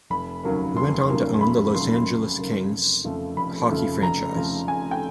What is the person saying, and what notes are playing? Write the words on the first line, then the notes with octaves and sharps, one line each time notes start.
He went on to own the Los Angeles Kings hockey franchise.
F1 B5
D#2 C#3 F#3 A#3
F1 C6
D#2 C#3 F#3 A#3
F1 B5
D#2 C#3 F#3 A#3 C6
F1
D#2 C#3 F#3 A#3
F1
F2 C#3 F3 A3
F1 B5
F2 C#3 F3 A3
F1 A#5
F2 C#3 F3 A3
F1 G#5
G5